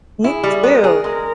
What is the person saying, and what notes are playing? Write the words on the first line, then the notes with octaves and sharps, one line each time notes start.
You too.
E4 G#4
G3
B3 A#4
G#4
G#3 A#4